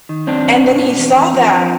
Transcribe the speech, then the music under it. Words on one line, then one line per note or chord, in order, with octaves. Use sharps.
And then he saw that
D#3
F#2 C4 D4
F#2
B2
B2
E2
E2
F3
F3